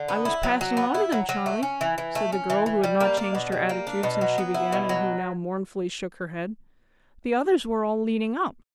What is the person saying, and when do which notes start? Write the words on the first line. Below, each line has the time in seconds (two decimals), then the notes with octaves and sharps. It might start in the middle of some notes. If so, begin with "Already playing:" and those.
'I was passing on to them, Charley,' said the girl, who had not changed her attitude since she began, and who now mournfully shook her head; 'the others were all leading up.
Already playing: D3
0.08 B3
0.25 E4
0.43 F#3
0.61 F#3
0.77 B3
0.94 E4
1.12 F#3
1.29 F#3
1.46 A3
1.63 C#4
1.81 E3
1.98 E3
2.15 A3
2.32 C#4
2.50 E3
2.66 E3
2.84 G3
3.01 A#3
3.17 D4
3.35 B2
3.52 G3
3.69 A#3
3.87 D4
4.03 B2
4.21 F#3
4.38 B3
4.54 E4
4.73 B2
4.89 F#3